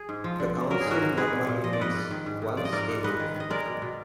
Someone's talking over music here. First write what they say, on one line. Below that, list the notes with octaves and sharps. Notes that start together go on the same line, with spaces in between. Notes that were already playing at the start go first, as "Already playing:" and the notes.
The Council normally meets once a week.
Already playing: G#4
G#2
F3
D3
D3
F#3 A#4
G#4
G#2 F#4 A#4
G#2
G#3 G#4 B4
A#2
A#2
F3 D#5
D5
G#2 B4 D#5
G#2
D#3
G#2
G#2
F3 D5
D#5
G#2 A#4 D5
G#2
G#3 B4 D#5
D#3
D#3 D#5
G#3 A#4 D5
B2
B2